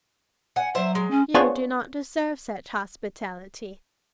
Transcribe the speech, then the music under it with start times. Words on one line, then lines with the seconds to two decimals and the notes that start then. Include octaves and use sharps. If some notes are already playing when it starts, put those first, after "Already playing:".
You do not deserve such hospitality.
0.56 F#5 G#5
0.75 F#3 C5 E5
0.95 G#3
1.10 C#4
1.34 B3 D4 F4 G#4 C5 C#5